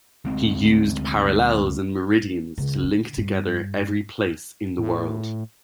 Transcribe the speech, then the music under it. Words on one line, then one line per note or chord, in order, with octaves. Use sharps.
He used parallels and meridians to link together every place in the world.
D2 G#3 C4
C#2
D3
G2
A2